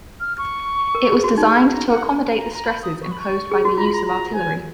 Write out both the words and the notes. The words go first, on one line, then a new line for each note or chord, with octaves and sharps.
It was designed to accommodate the stresses imposed by the use of artillery.
F6
C#6
A#4
G#4
F#4
D#4
A#5
F#5
G#5
A#5
A#5
B5
D#6
C#6
B5
C#6
G#4
F#4
F4 A#5
B5
A#5
A#5
G#5